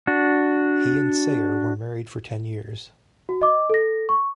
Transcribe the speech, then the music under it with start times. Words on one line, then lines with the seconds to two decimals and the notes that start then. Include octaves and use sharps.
He and Sayer were married for ten years.
0.07 D4 F#4
3.29 F#4
3.42 D#5 D6
3.70 A4 A#6
4.09 C#6